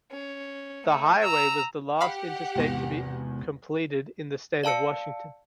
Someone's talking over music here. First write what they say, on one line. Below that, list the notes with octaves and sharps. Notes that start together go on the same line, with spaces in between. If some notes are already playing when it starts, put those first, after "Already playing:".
The highway was the last Interstate to be completed in the state of Washington.
C#4
A3
A#5 E6
G4 F5 F#5 B5
G#1 E2 C3 A#6
D5 F5 A5 E6 C#7